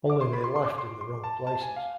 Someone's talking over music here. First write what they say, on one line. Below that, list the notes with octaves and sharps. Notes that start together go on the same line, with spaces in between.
Only they laughed in the wrong places.
D6
C6
B5
C6
C6
D6
C6
C6
A5
A5
G#5
F5